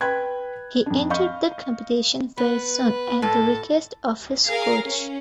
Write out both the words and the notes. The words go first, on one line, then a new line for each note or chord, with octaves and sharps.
He entered the competition very soon at the request of his coach.
B4 G5 B5 F#6 G#6
F2 D4
D#5 F5 B5 C#6 G6
B3 B4
A2 A4
G#4 A#4 F5
C#4